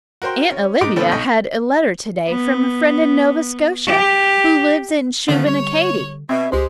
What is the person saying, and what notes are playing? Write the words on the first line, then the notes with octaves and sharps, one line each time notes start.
Aunt Olivia had a letter today from a friend in Nova Scotia, who lives in Shubenacadie.
F#4 A#4 C5 G5 C6
C#4
G#2 D#4 D6 D7
A#2 D3 F3 A3 B3 C4
B1 D#5 C#6 G6
B3
G4
D3 D#3 F3 A3 B3 C#4
G3 C#5
B2 C4 E5 G#6
C#2 G#3 G4 C5